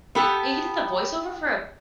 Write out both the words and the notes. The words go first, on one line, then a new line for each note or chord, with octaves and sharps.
He he did the voiceover for a
B3 G4 A4